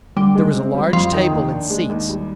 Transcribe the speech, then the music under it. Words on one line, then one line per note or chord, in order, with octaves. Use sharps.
There was a large table and seats.
D3 G3
G#3
C4
G3
F2 F3
D#3
D#2
D4
G#3
D#2
G3